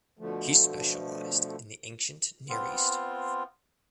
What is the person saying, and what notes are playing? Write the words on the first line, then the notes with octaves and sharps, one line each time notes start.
He specialized in the Ancient Near East.
B2 D3 F3 A3
B3 C4 F4